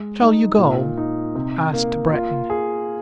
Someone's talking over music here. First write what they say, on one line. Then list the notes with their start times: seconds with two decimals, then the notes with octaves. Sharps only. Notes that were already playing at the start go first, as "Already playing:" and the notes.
"Shall you go?" asked Breton.
Already playing: G#3
0.21 D#4
0.58 A#2
0.98 D#4
1.35 C3
1.73 A#3
2.12 F4
2.50 G#4